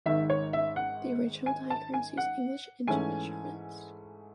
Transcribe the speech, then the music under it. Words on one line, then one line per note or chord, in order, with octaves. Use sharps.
The original diagrams use English Inch measurements.
G#1 G#2 D#3 E5
C#5
E5
F#5
G#5
A5
G#5
F#5
G#2 E3 A3 C#4 G#5